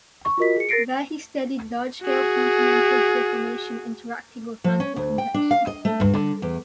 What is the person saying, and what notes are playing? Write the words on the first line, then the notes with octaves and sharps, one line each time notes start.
There he studied large scale continental deformation interacting with mantle convection.
C#6
F4 F#4 A#4 D#5 B6
G#4 C#7
A#4 A6 A#6 C7 D7
F#4 G#4
F3
C#4
D2
G5
D4
F5
D#5
A3
G2
D3
E2